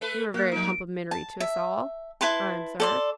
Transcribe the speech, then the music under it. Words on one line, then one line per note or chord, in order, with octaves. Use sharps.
'You are very complimentary to us all,' I observed.
A3 A4 B4
A#3 F#4 F#6
F3 D#4 D7
A5
E5
E4 B4 A5 C6
A4 D5 C6